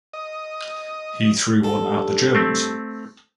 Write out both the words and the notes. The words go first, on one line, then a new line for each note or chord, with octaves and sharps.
He threw one at the Germans.
D#5
G2 A4
A3 C4